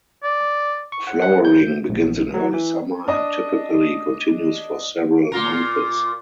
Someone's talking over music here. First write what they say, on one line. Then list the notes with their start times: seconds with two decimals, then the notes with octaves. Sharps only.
Flowering begins in early summer and typically continues for several months.
0.23 D5
0.92 C#6
1.07 F#5
1.22 F#5
1.45 G6
1.89 A#1
2.34 F#3
2.54 E3
3.08 D4 D#5
5.32 A#2 F4 A#4